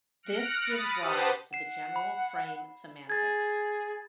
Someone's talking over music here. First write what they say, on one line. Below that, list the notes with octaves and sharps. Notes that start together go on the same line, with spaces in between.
This gives rise to the general frame semantics.
F6 F#6 A#6 C#7 D7
B5 D#6 A6
G4 B4 C5 F#5 A5 D#6
F#5 C7 E7
B5
G#4 G#6 A6